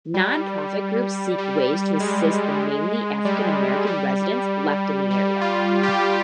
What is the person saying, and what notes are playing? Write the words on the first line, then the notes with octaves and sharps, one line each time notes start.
Non-profit groups seek ways to assist the mainly African-American residents left in the area.
G3
G3
G#3
G3
G3
G3
F4
G4
F4